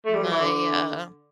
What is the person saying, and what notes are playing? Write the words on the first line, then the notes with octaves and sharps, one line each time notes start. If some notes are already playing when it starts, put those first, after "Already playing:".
my, uh
A3
G3
F#3
E3
D3